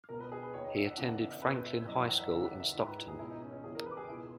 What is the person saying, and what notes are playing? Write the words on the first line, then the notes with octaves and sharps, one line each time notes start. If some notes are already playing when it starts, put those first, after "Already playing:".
He attended Franklin High School in Stockton.
C#2 B2 A#4
B4
G#4
B4
D#2 D#3 C#5
D#5
E5
F#5
E2 C#3 E3 F#5
F#5
E5
E5
C#2 B2 B4
E5
F#2 E3 D#5
E5
F#5
E5
D#2 C#3 E3 E5
F#5
E5
G#2 D#3
B4
E4
G#4
C#2 B2 E4
D#4
C#4
C#4
E2 C#3 E3 G#4
A#4
B4
G#4
C#2 B2 E4